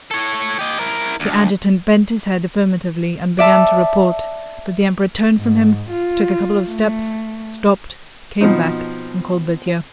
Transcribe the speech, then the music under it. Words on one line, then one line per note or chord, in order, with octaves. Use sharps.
The adjutant bent his head affirmatively and began to report, but the Emperor turned from him, took a couple of steps, stopped, came back, and called Berthier.
A4 C#5
G4 D#5
E4 A#4
D2
D5 E5 A5
G#2
F4
A3
B2 F3 C4 D#4